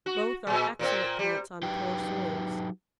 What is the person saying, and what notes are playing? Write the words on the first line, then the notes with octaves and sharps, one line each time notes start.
Both are excellent plants on poor soils.
F#4
A#2 G#3
A#2 A#3 C4
G3
F#3 D#4 G4 B4 G5